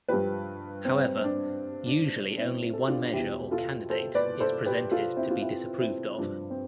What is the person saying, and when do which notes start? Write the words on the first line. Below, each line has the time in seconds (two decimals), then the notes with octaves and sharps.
However, usually only one measure or candidate is presented to be disapproved of.
0.08 G2 F3 G4 B4
0.85 C4
1.18 C4
1.24 D4
1.86 D4
2.12 D4
2.37 C4 E4
2.73 A4
2.80 G4
2.88 D4 F4
3.13 E2 B2 E4 G4
3.51 F4 A4
3.90 A4 C5
4.15 B4 D5
4.40 A4 C5
4.66 G4 B4
4.91 F4 A4
5.16 C4 E4
5.30 F4
5.41 C4 E4
5.80 C4 E4
6.18 G2 F3 D4
6.50 C4